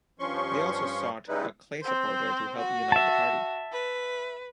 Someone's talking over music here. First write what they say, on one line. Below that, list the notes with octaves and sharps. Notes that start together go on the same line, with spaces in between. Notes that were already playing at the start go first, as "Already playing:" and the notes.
They also sought a Clay supporter to help unite the party.
G2 F3 C#4 C6 C#6
C#3 G3 G#3 D#4 E4 B4
C4 C5
F#4
E5 A5
B4